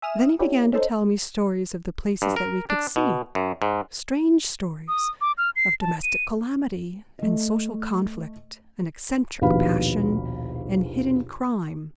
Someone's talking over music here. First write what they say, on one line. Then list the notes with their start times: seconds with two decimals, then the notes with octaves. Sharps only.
Then he began to tell me stories of the places that we could see--strange stories of domestic calamity, and social conflict, and eccentric passion, and hidden crime.
0.02 E5 G#5 D#6 F6 E7
0.39 C#4 D4 E4 G4
0.73 C#4 D#4 A4 C5
2.22 G2
2.36 A#4
2.70 D4
2.96 B2
3.35 F#2
3.62 G#2
4.88 D#6
5.21 D6
5.38 F6
5.56 C7
5.81 A5
6.03 D#7
7.19 A3 D#5
9.41 A#1 D#2 B2 B4 F5 B5